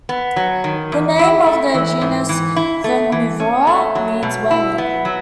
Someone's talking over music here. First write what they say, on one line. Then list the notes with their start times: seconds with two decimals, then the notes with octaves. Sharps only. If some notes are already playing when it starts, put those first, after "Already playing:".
The name of the genus "Vermivora" means "worm-eating".
0.09 B3
0.36 F#3
0.64 D#3
0.92 E2
1.19 E4
1.46 A3
1.74 E3
2.01 G#2
2.29 E3
2.56 E4
2.84 A3
3.12 E3
3.40 C#4
3.67 A3
3.95 F#3
4.23 B2
4.51 E4
4.78 B3
5.05 F#3